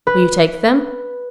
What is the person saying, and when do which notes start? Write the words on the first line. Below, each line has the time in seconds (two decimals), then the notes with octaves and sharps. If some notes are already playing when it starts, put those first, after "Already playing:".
"Will you take them?"
0.07 B4